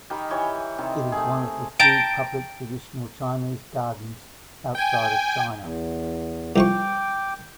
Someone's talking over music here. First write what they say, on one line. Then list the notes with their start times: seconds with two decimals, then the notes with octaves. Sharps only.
It is one of the few public traditional Chinese gardens outside of China.
0.10 D#3 G4 A#4 B5
0.30 E3 G4 C#5
0.78 C3 D#3
1.12 A3 G#4
1.80 G5 A5 A#5 D7
4.75 G5 G#5
5.61 E2
6.56 C2 F3 G5 C#6 D6